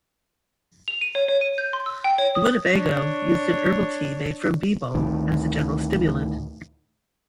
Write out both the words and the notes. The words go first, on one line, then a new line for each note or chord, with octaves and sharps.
The Winnebago used an herbal tea made from beebalm as a general stimulant.
F7
D#7
C#5
C#5
D#7
G6
C6
E6
G5
C#5
D#6
D4 C#5
D2 A2 D#3